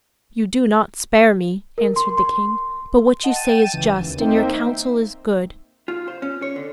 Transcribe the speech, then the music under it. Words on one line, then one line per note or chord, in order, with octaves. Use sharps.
'You do not spare me,' answered the king; 'but what you say is just, and your counsel is good.
A#4
C6
C6
D#5 F#5 A5
G5 A6 D#7 E7
C#2 C#3 E3
D#2
A#3 C4 D#4 C5 E5 G5
F4
C5
C#4
C#5
D3